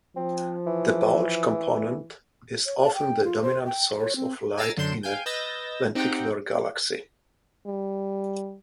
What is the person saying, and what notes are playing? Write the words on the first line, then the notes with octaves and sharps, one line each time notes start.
The bulge component is often the dominant source of light in a lenticular galaxy.
F3 C4
E3
C#5
A5
G5
F4
C5
G5
C#5
C4
G#5 A#5 E6 A6 C7 D7
F#2 D3 D4 C6 G6 E7
F5 G5 G#5 G6
B4 D#5 E6 G6 A6 A#6
C4 D#4 G4 F#5 G5
G3